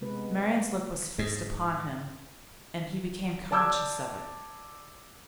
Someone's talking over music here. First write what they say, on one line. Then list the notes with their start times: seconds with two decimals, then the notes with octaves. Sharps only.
Marian's look was fixed upon him, and he became conscious of it.
0.01 C3 G#3 B3 B4
1.19 G#2
3.51 D5 A5 D6 E6 G6 G#6